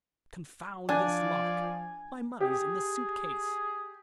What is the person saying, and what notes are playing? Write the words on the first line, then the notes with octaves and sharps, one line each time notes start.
"Confound this lock--my money's in the suit case."
F3 D4 D5 G#5
G4 G#4